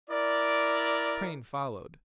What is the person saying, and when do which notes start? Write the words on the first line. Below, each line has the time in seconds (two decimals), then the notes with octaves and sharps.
Crane followed.
0.10 E4 A#4 D5